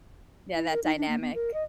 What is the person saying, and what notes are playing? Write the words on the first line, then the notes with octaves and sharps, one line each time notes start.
Yeah, that dynamic.
E4
A#4
D#4
D4
A#3
B3
A#4
D#5